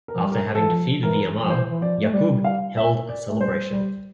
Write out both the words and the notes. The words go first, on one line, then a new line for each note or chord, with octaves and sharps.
After having defeated the Ammar, Ya'qub held a celebration.
A#4
F3
G3
A#4
F3 A4
E3
F3
E3 A#4
F3
E3 C5
E3
F3 D5
A3
G3 D5
F5
E5
D5
A3
G3 C5
G3